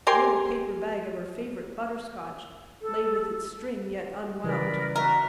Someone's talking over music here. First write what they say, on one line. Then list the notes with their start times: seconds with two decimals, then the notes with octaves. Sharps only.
A little paper bag of her favorite butter-scotch lay with its string yet unwound.
0.07 G4 A#4 G#5 C6
2.82 A4
4.44 C#3 E3 G3 A#4 B4 D5
4.96 F#4 A#4 D5 E5